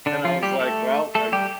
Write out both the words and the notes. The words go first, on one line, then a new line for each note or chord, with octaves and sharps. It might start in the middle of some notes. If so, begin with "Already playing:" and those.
and I was like, "Well, I g"
D3 D4
F3 F4
G3 G4
A3 A4
A3 A4
G3 G4